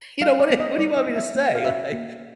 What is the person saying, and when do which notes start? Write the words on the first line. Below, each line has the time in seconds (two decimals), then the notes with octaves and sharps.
you know, what you what do you want me to say, like,
0.21 G3 F5
0.40 D5
0.50 B3 E4
0.60 D#5
0.78 G3 D5
0.97 D#5
1.07 B3 E4
1.16 E5
1.35 A#3
1.55 F5
1.64 C#4 F#4 E5
1.93 A#3